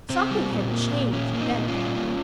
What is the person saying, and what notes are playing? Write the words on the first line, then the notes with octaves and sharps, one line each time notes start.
Something had changed Benda.
C3 C4
G3
A#2
A#3
A#2
A#2 C#4
A#3
C4 D#4
A#2
C#4 F4
G3
A#3